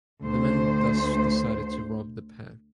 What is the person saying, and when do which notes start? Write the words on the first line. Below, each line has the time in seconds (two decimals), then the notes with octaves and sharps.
The men thus decided to rob the pair.
0.22 D2 C5